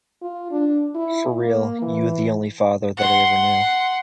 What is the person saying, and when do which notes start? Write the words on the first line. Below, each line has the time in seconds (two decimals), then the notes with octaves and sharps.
For real, you the only father that I ever knew.
0.22 F4
0.51 D4
0.95 E4
1.40 A#3
1.82 E3
2.97 F#5 C6